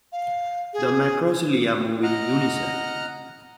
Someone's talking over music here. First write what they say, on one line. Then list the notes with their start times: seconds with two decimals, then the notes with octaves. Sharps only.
The macrocilia move in unison.
0.12 F5
0.74 G#4
2.03 D#5 F#5 A#5 F6